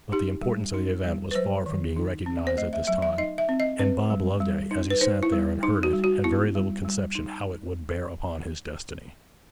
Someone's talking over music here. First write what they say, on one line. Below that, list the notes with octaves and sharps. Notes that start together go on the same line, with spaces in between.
But the importance of the event was far from being recognized at this time; and Bob Loveday, as he sat there and heard it, had very little conception how it would bear upon his destiny.
D#4 G4
G3
D#4
G3
B4
F#3 C5
D#3
D#4
C4
C5
A3 D#5
E5
F#3 E5
E5
D#4 D#5
E5
C4
D#5
C4 B4
G3
G3
D#4
B4
D#4 C5
E4
G3
D#4
F#4
G3
F#4
B3 E4
G3
G3
D#4